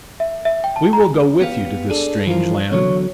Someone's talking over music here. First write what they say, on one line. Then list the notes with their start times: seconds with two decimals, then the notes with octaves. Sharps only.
"We will go with you to this strange land."
0.20 E5
0.45 E5
0.64 G5
0.76 A5
0.93 A#5
1.41 B3 G4 F5
1.90 D4 G#4 A4
2.27 E3 F3 F4 A#4
2.71 E2 D3 F#3 C#5